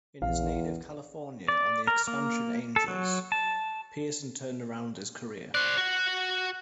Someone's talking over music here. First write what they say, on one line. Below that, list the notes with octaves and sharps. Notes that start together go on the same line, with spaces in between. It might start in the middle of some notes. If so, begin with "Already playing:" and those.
In his native California, on the expansion Angels, Pearson turned around his career.
A#1 E2 F5
D5
A#4
A#3
A4
F#3
A5
C5 D5 F#6
F#4 F#5